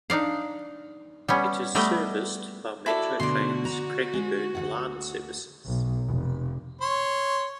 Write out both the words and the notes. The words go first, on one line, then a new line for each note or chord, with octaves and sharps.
It is serviced by Metro Trains' Craigieburn line services.
D4 D#4 D5 F5
G3 B3 C#4
G3 A3 B3 D#5 G5
E4 F#4 A4 D5
B2 D3 A3 D5 C6
A#5
G#3
D2 G#2 F#5
B1
F1
C#5 C6